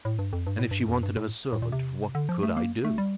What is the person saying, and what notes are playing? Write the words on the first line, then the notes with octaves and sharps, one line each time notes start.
And if she wanted her servant, what could I do?
A2
G2
F2
G2
A2
G2
F2
G2
A2
A2
A#2
C3
D3
F3
A3
A#3
A3
G3